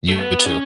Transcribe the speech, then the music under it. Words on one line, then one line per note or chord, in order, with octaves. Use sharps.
You too.
A3
B3
C#4